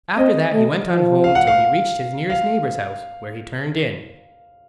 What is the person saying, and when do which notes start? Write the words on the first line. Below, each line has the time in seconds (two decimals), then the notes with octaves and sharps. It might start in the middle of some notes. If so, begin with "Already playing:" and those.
After that he went on home till he reached his nearest neighbour's house, where he turned in.
0.18 C4 D#5
0.53 A3
0.88 F3
1.24 F5
1.35 F#5
1.47 F5
2.30 F5